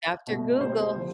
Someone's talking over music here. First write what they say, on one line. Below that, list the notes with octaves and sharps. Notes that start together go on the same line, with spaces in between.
After Google,
B2 A3
C2 C5
C3 F3